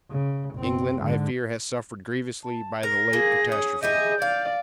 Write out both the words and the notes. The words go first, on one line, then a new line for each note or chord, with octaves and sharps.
England, I fear, has suffered grievously by the late catastrophe.
C#3
F#1 C4
G#2 D3
A5
A#4 A#6
A#3 G#4
C#4 D#6
E4 G4 G#4 D#5 G6
D5 F5